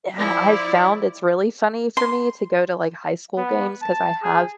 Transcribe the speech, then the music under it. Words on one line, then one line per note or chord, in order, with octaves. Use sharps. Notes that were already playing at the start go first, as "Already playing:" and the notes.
uh, I found it's really funny for me to go to, like, high school games 'cause I have
F3 E4 D5
C6
B3
A5
G#4